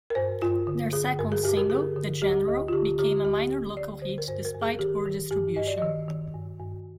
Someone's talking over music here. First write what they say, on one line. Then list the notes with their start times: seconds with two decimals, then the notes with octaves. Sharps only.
Their second single, "The General," became a minor local hit, despite poor distribution.
0.10 A#4
0.15 G2 C5
0.42 G2 F4
0.67 D3
0.93 D3 G#4
1.19 G2 A#4
1.32 G#4
1.44 G2 G4
1.57 A#4
1.70 D3 G#4
1.96 D3
2.22 D2 G4
2.48 D2
2.68 F4
2.73 D3 G4
2.99 D3 G4
3.25 D2 G4
3.50 D2
3.76 D3 D5
4.02 D3 C5
4.18 A#4
4.28 G2 C5
4.45 A#4
4.54 G2
4.61 G#4
4.79 D#3 G4
5.05 D#3
5.31 G2 G4
5.56 G2 D#5
5.67 D5
5.78 D#3 D#5
6.09 D#3
6.34 G2
6.60 G2